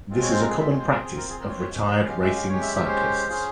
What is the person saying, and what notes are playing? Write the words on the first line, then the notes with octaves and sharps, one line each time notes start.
This is a common practice of retired racing cyclists.
G#3 C4 F4
C#5
C5
A#4
G#4
E5
C#5
C5
C4 F4 G#4 A#4
G#4
A#4
G#4
A#4
C#5
C#5
G#3 C#4 G4
F5
E5
F5
G#3 C#4 G4 C#5
E5
E5
C5
C#4 F4 G#4